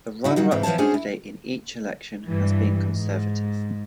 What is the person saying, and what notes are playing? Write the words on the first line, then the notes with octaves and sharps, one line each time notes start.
The runner-up candidate in each election has been Conservative.
D#4 E4 F#4
C#3 F#3 G3 F#4
G#2 C#3 E3 C4
E3 F3 C4 C#5 A5
C#4 D4 F#4 G#4 C5 C#5
E4
G2 E3
G#2